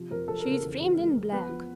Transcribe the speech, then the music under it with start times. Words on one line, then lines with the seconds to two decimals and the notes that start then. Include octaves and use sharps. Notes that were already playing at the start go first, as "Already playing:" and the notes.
'She's framed in black.
Already playing: C3 F3
0.11 F2 A#4
0.28 F2 A4
0.40 A#4
0.45 C#3
0.51 A#4
0.62 E2
0.80 E2
0.98 G#3
1.15 E2
1.32 B3 B4
1.49 F3